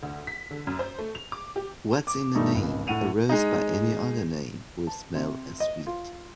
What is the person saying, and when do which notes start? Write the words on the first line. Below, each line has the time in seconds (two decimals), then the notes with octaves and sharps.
What's in a name? A rose by any other name would smell as sweet.
0.03 D2
0.27 B6
0.51 D3
0.67 F#2
0.79 C5
0.99 A3
1.15 F7
1.32 D6
1.56 G4
2.07 D6
2.35 G2 D#3 G3 A3 D#4
2.54 G#1 C#2
2.87 A2 F#5 D#7 F7
3.29 G#3 D#4
4.87 A5
5.15 C3
5.60 D#5
5.87 F4